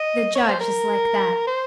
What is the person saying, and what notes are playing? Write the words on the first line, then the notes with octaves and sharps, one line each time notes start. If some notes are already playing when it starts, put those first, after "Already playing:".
The judge is like that.
Already playing: D#5
C#5
C5
A#4
C5